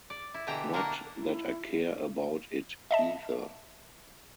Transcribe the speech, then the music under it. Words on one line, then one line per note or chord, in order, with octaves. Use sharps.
Not that I care about it either.
D5
E4
B2 D3 E3 G4 G5 A#5
A#3 D4 F#4 A#4
E4
D#5 E5 A5